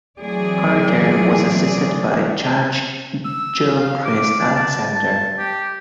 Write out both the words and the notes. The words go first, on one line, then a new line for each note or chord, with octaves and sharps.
Carter was assisted by Judge Gilchrist Alexander.
E3 F#3 A3 C4 G#4 D5
E6
F5
D6
D4
A5
A5
G4